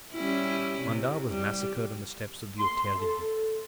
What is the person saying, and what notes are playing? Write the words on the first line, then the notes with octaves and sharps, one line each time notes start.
Mandat was massacred on the steps of the Hotel-de-Ville.
G3 C#4 E4
C3
G3
C6
A4